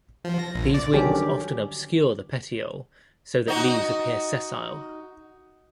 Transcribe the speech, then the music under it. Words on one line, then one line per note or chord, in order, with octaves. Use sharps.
These wings often obscure the petiole so that leaves appear sessile.
F3
A#6
A#1
D5
D3 D#3 F#3 G3 C#4 G4
D#4 F#4